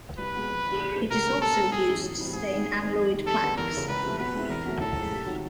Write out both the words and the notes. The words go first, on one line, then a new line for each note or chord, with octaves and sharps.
It is also used to stain amyloid plaques.
C2 B4
B2 G#3
F2
D3 F3
A#2
F3 A3 C4 F4
C#2 A#4
B2 G3 A#3 D4
B2 A4
F#3 B3
A2 G#4
E3 G#3 C#4
A2
E3 G3 C4
G#2 G#4
D#3 G#3 B3
D#3
G#3 C4 D#4
F2
C3 D#3
F2 A4
D3 G3 B3
E2 A#4
C#3 E3
C#2 B4
C3 F3 A3
B2 B4
G#3 C4 E4
E2 A#4
B2 F#3 A3
A2 A4
F3 G#3
C3
D#3 F#3